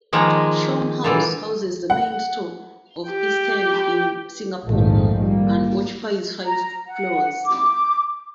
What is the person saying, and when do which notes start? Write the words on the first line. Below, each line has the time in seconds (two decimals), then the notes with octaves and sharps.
Shaw House houses the main store of Isetan in Singapore, and occupies five floors.
0.13 D#3 F3 G#3 A#3
1.04 A#2 D3 E3
1.90 F#5
3.09 G4 G5
4.67 A#1 F2 G#2 D#3 F3 A3
5.21 G3 A#3
6.45 A#5
6.88 F#5
7.46 D6